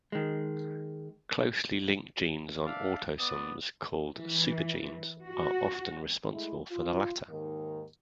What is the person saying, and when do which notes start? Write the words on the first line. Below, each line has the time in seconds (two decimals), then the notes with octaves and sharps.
Closely linked genes on autosomes called "supergenes" are often responsible for the latter.
0.12 D#3 G#3
2.65 D4 D5 E5 F5
3.19 B3 D5 D#6
4.18 E3
5.26 F#4
6.32 G#3 A3 E4
6.71 F4
7.29 D#2 G#2 D#3